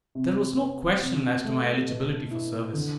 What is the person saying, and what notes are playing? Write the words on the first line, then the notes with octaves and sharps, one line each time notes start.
There was no question as to my eligibility for service.
C3
B3
C3
A3
B2
E4
D3